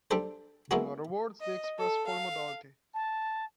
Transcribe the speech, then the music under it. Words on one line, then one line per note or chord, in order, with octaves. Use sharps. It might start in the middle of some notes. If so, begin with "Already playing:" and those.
In other words, they express polymodality.
G3 D4 A4 C5
G#3 A#3 B3 E4 F#4
D#5
A4
F5
A5